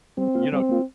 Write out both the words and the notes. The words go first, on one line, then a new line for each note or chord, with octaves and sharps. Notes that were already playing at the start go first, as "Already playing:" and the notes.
you know
G3 C4
A#3 F4
G3 C4
A#3 F4